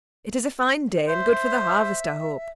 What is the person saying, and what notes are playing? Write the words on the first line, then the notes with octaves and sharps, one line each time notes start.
It is a fine day, and good for the harvest, I hope.
C5 E5